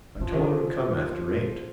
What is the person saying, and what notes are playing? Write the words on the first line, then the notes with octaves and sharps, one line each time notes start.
I told her to come after eight.
D#3
C#3 F3
D#3
C#3